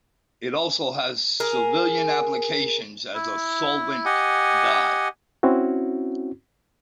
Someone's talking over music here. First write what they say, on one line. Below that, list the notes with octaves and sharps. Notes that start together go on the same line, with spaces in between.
It also has civilian applications as a solvent dye.
G#4 A#4
E4
G4 D#5 F#5 G#5
C4 C#4 E4 F#4